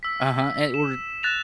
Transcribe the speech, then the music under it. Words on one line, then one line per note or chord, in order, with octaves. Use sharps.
Uh-huh, and or
E6 B6
E7
F#6 A6 A#6 E7 F7